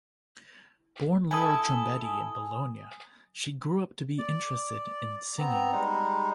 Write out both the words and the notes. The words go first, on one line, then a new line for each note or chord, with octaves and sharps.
Born Laura Trombetti in Bologna, she grew up to be interested in singing.
E4 A4 G#5 D#6
D5
B3 C4 A#5
G3 G#3 D#4